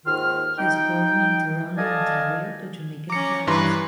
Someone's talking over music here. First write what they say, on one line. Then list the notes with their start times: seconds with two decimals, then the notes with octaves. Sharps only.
He was born in Toronto, Ontario to Jamaican parents.
0.05 D#2 G#2 D#3 F4 F6
0.58 D#4 G5
1.77 A4 D5 D#5 F5 G#5 A5
3.10 C#4 A#5 D6 C#7
3.47 G2 E3 B4 A#5 C6